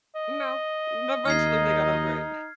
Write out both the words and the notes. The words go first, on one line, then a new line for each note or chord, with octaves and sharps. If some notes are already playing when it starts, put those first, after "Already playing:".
No, eventually they got over it.
D#5
D#2 D#4 F6 G#6 C7